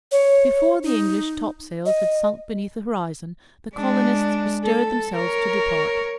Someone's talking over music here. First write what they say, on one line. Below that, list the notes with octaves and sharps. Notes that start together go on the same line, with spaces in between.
Before the English top-sails had sunk beneath the horizon, the colonists bestirred themselves to depart.
C#5
D#4
D#5
G#3 D4
A4
A#4 C#5